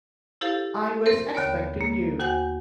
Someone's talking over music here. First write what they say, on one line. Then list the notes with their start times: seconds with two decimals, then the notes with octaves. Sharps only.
I was expecting you.
0.41 E4 G4 A4 C5 F5
1.06 C4 A#4 C5
1.35 D#2 D3 B3 C#5
1.81 A#3
2.19 D#2 F#4 C5 F#5 G#5 G6